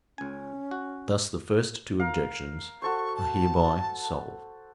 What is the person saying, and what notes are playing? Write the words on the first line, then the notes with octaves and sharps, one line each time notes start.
Thus the first two objections are hereby solved.
C#2 C#4 G#5
F#4
A#4 F5
F#4 A4 C5 C#6
A5